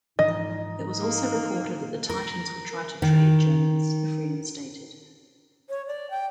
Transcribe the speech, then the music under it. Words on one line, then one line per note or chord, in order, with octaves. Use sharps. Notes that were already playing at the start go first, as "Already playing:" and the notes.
It was also reported that the Titans would try to trade Jones, if reinstated.
G#2 E3 F3 D#4 D#5
A#3
A#4
D#3
C#5
D5
G5